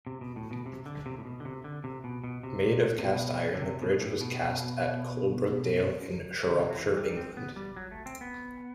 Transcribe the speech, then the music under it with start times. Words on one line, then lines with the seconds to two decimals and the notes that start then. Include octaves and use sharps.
Made of cast iron, the bridge was cast at Coalbrookdale in Shropshire, England.
0.07 C3
0.21 B2
0.36 A2
0.51 B2
0.66 C3
0.86 D3
1.06 C3
1.18 A2
1.25 B2
1.40 D3
1.45 C3
1.64 D3
1.84 C3
2.04 B2
2.24 B2
2.43 C3
2.99 C3
3.03 B2
3.54 D3
3.62 C3
3.82 B2
4.01 A2
4.21 B2
6.50 D3
6.58 C3
6.70 F#3
6.78 E3
6.97 G3
7.17 C4
7.37 B3
7.56 G3
7.76 F#3
7.91 A3
8.06 C4
8.21 B3